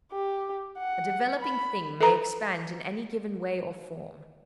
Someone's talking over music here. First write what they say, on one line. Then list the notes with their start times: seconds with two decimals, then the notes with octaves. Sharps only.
A developing thing may expand in any given way or form.
0.12 G4
0.79 F#5
1.40 B5
2.01 A4 B4 A#5